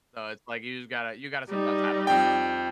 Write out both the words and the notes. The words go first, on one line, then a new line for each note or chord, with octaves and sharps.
So, it's like you just gotta you gotta sometimes have that, you know?
G3 D#4
F2 G5